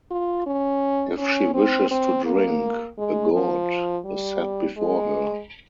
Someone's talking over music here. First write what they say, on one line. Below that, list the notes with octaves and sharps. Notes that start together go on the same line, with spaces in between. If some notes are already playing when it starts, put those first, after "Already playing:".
If she wishes to drink, a gourd is set before her.
F4
C#4
C#4
C4
C4
A#3
G#3
F3
G3
G#3